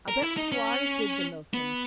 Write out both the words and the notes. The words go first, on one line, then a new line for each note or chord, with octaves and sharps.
I bet squires did the milkin'.
A#4
E4
D#4
C#4
B3